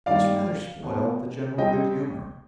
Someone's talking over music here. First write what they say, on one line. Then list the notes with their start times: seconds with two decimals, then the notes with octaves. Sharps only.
This rather spoiled the general good humor.
0.06 G2 D#3 G3 D5 F5
0.83 B2 B3
1.57 C3 G3 C4 D#5 G5